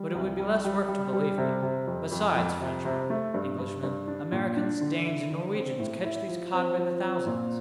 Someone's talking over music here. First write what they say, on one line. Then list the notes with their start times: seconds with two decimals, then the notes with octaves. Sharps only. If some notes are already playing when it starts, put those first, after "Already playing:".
But it would be less work to believe me. Besides, Frenchmen, Englishmen, Americans, Danes, and Norwegians catch these cod by the thousands.
Already playing: G3
0.15 C2
0.40 G3
0.65 G3
0.89 G3
1.13 G3
1.38 C3
1.63 C3
1.87 F2
2.12 F2
2.36 F2
2.60 C3
2.85 C3
3.10 A3
3.34 G2
3.58 G2
3.83 G2
4.08 D4
4.32 A#2
4.57 D4
4.81 D3
5.06 E4
5.30 D3
5.55 C4
5.79 A2
6.04 E4
6.28 F3
6.53 C4
6.78 F3
7.02 C4
7.27 A#2